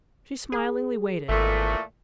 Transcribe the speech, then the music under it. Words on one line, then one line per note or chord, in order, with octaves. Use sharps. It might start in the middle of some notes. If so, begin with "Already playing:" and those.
She smilingly waited.
G#4
G#1 A#2 E3 A3